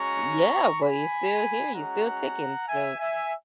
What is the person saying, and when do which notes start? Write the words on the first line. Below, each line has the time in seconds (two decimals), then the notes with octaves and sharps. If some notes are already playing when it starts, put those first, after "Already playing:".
Yeah, but you're still here. You're still ticking, so,
Already playing: G#3 C#4 F#4 A#5 C#6
0.80 G#5 B5
1.74 G#3 C#4 F#4 F#5 A#5
2.68 E5 G#5
3.00 E5 G#5